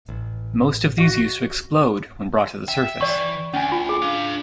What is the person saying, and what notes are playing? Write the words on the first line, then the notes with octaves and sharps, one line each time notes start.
Most of these used to explode when brought to the surface.
A1
F#4
E5 G5
E3 D5 G5 C#6
D2 C#4 G#5
F4
G#4
D4 F5